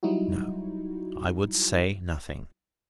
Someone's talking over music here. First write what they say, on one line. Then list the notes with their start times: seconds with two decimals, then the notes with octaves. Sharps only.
No, I would say nothing.
0.03 F#3 G3 D#4 E4 F#4